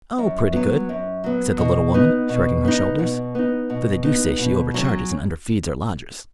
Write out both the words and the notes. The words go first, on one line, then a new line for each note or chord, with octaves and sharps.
"Oh, pretty good," said the little woman, shrugging her shoulders, "though they do say she overcharges and underfeeds her lodgers."
F#2
F#3 B3
F#2
F#3 B3
B2
B3 D#4
B2
B3 D#4
B2
B3 D#4
B2
B3 D#4
B2
F#3 C#4